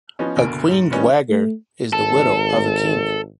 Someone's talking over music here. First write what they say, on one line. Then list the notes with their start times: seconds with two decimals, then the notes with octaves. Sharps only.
A queen dowager is the widow of a king.
0.19 F3 B3 C#4 D#4
0.36 F#1 B2 D3 A#4 G#5 D7
0.71 G#2
0.91 D#3 G3 B3 C#4 D#4
1.29 A3
1.93 G#1 A4